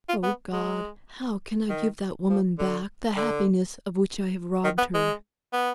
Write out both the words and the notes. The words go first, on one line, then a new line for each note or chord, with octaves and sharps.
"Oh, God, how can I give that woman back the happiness of which I have robbed her!"
F4
B3
G#3
D#3
F3
D3
D3
D#3
B3
G#3
B3